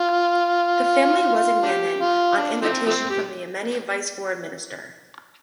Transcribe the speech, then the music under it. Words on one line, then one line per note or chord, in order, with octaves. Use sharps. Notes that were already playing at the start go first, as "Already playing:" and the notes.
The family was in Yemen on invitation from the Yemeni vice foreign-minister.
Already playing: F4
D4 G4
F4
D4
F3 A3 C4
F3 A3 C4
G4